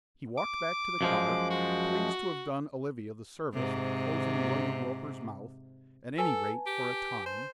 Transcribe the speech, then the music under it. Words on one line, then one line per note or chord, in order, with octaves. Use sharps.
He walked back to the car, pleased to have done Olivia the service of closing William Roper's mouth, at any rate for a time.
D6
F#2 F3 G#3
F#4
G#2 C3
A4 B4 G#5 A5
G4
C5